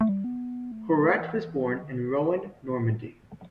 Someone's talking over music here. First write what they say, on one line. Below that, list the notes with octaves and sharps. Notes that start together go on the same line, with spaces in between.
Corrette was born in Rouen, Normandy.
A3
G3
B3
A3
F#3
A3
E3
F#3
D3